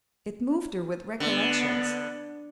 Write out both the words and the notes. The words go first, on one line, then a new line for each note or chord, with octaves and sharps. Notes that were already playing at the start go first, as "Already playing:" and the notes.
It moved her with recollections.
D3 B3